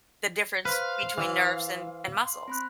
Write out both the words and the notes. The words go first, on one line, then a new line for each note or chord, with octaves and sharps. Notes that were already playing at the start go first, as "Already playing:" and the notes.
the difference between nerves and and muscles.
B4 C5 F5 C6
E3
C6
C4 B5 F#6